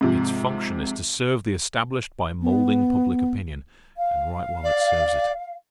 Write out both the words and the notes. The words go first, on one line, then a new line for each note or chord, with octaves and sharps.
Its function is to serve the established by moulding public opinion, and right well it serves it.
G#2 C3 F3
B3
F5
D5